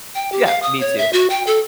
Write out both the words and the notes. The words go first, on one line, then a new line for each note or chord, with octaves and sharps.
Yeah, me too.
G5
G4
F5
D#6
C#5
E5
F#4
G5
A4